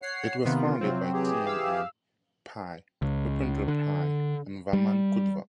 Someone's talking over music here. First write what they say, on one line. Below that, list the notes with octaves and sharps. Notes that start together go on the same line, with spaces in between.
It was founded by T M A Pai, Upendra Pai and Vaman Kudva.
C#5 F#5 C7
C3 D#3 B3 F4
C3 F#3 C4
E3 G4 G#4
F5 E6
C#2
D3
G3